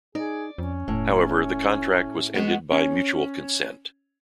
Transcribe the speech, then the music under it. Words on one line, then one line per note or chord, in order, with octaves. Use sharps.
However, the contract was ended by "mutual consent".
D#4 G#4 D5
F2 C#4
E1 A2
G#3 B3 F#4
C#4